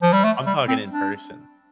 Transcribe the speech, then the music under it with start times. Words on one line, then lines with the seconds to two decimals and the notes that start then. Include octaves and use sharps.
I'm talking in person.
0.02 F3
0.13 G3
0.24 A3
0.46 G3
0.68 C4
0.91 D4